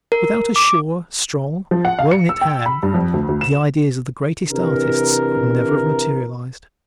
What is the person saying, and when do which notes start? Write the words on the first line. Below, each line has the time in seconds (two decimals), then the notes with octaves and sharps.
Without a sure, strong, well-knit hand the ideas of the greatest artists could never have materialized.
0.12 A#4
0.56 D6
1.71 F3
1.85 F#5
1.99 F5
2.11 C#7
2.29 E6
2.41 G5
2.66 B5
2.83 G2
2.94 F2
3.14 D2
3.28 D2
3.41 E7
4.50 C3 E3 D4 A#4